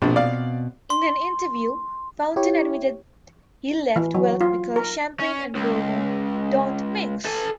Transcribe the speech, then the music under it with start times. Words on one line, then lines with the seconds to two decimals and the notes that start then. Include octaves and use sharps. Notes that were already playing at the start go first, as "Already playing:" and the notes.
In an interview, Fountain admitted he left Welk because Champagne and bourbon don't mix.
0.02 A#1 B2 C4 D4
0.16 D5 F5
0.90 C6
2.36 E4 G4 C#5
3.96 E3
4.15 F#3
4.41 F4
4.76 A#4
5.20 C#4
5.55 C#2
7.25 A4 G#5